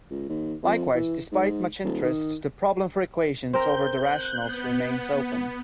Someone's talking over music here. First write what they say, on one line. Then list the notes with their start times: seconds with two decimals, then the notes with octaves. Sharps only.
Likewise, despite much interest, the problem for equations over the rationals remains open.
0.10 C#2
0.29 D#2
0.63 F2
0.94 E3
1.32 G#2
1.84 D#1
2.04 D#3
3.53 C4 A#4 G6
3.98 F#6 G6
4.44 B3